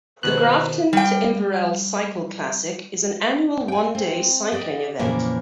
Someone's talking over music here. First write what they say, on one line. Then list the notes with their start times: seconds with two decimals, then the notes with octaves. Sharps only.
The Grafton to Inverell Cycle Classic is an annual one day cycling event.
0.23 B2 D#3 B3 C5 F#6
0.93 G3 G5
3.68 G5 G#5
3.95 C4
4.52 G4 D5 D#5
4.99 F2 A#2 C#3 E3 A#3